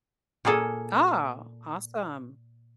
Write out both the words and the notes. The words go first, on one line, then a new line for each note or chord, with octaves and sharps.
Oh, awesome.
A#2 A#3 G#4 A4